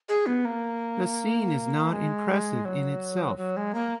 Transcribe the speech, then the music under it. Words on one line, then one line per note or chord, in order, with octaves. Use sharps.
The scene is not impressive in itself.
G#4
B3
A#3
G#3
F#3
F#3
G#3
A#3